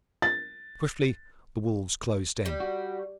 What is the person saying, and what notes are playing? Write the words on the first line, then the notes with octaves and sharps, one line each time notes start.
Swiftly the wolves closed in.
A6
G3
F#4